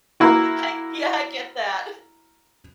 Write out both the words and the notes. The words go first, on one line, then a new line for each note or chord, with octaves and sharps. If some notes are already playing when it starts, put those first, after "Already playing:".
I yeah, I get that.
A#3 E4 F#4